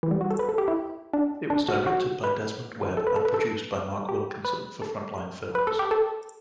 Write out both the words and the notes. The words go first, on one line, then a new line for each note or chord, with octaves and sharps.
It was directed by Desmond Webb and produced by Marc Wilkinson for Frontline Films.
E3
G3
F#4
A4
B4
A4
G4
E4
D4
D4
F#4
F#4
B4
A4
B4
A4
B4
A4
G4
B4
A4
B4
A4
G4
A4